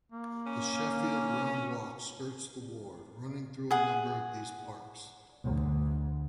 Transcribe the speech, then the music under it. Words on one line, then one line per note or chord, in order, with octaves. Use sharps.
The Sheffield Round Walk skirts the ward, running through a number of these parks.
A#3
C#4
G#4 F#5
D2